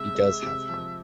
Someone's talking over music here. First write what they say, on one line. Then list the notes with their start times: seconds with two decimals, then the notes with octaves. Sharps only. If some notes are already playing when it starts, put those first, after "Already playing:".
He does have heart!
Already playing: C3 G#3 E5
0.15 G#3
0.42 C3
0.69 F3